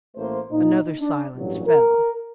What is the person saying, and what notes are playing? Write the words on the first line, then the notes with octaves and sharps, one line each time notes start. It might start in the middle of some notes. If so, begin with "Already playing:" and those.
Another silence fell.
A1 A3 A#3 C5
A#2 D#4
D4
A1 G2 A#2 F#3
A#4